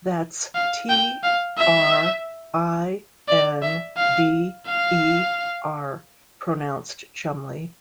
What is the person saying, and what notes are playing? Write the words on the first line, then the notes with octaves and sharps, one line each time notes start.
That's T-R-I-N-D-E-R, pronounced Chumley.
F5
G5
F5
E5
D5
E5
F5
F5